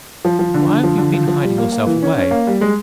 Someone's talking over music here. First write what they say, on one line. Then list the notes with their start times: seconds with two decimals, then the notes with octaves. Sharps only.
But why have you been hiding yourself away?
0.25 F3
0.39 F3
0.54 D3
0.69 D3
0.83 F3
0.98 D3
1.14 F3
1.28 F3
1.43 G3
1.58 A#3
1.72 A#3
1.87 E3
2.03 C#4
2.17 C#4
2.31 A#3
2.47 G3
2.61 G#3